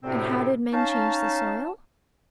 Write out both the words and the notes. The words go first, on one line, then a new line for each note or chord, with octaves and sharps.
And how did men change the soil?
D2 A2 C3 C4
C#4 D#4 F5 A5